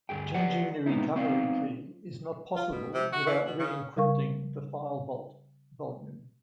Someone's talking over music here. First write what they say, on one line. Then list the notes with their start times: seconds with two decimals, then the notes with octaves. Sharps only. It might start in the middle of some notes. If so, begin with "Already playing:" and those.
Changing the recovery key is not possible without re-encrypting the File Vault volume.
0.09 D2 G2 G#4 G5
0.34 G4 B4 D5 F#5
0.86 G#3 B3 C4 D#4 E4
1.15 B3 C4 D#4 D5 F5
2.56 F4
2.72 B2
2.94 C3
3.12 F#4
3.26 E3
3.46 B2
3.59 C#3
3.97 C#3 G3 A#4 F5 C#6